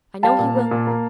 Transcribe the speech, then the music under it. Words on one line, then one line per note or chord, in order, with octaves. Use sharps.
I know he will!
G3 F5 A5
A#2
A#3
A#2
A#3